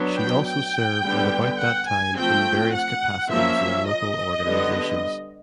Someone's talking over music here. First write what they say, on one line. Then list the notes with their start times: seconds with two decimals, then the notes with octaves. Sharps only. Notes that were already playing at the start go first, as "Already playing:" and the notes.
She also served at about that time in various capacities in local organizations.
Already playing: F#3 B3 D4
0.18 G5
0.47 G5
1.03 D3 G3 B3
1.60 F#5
1.88 G#5
2.16 F3 A3 C4 G5
2.73 F#5
3.30 F3 A#3 C#4 E5
3.86 D#5
4.43 D3 G3 B3